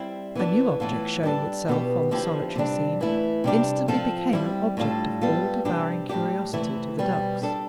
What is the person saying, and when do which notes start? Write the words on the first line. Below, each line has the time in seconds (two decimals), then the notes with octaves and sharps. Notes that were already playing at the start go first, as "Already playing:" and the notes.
A new object showing itself on the solitary scene instantly became an object of all-devouring curiosity to the ducks.
Already playing: G3 C4 E4
0.35 E3 B3 D4
0.80 A2 E3 B3 F4 A4
1.23 G3 D4 A4
1.68 B2 B3 E4 G4
2.11 D3 F3 C4 E4 G4
2.56 C3 G3 D4
3.01 E3 A3 E4
3.44 C3 G3 D4 G4
3.88 F3 C4 F4 A4
4.33 G3 C4 E4
4.77 A2 G3 D4 F4 A4
5.21 G3 B3 F4 A4
5.65 C3 G3 D4 G4
6.09 A2 G3 D4 G4
6.53 C3 E3 A3 E4
6.98 B2 G3 C4
7.42 G3 D4 A4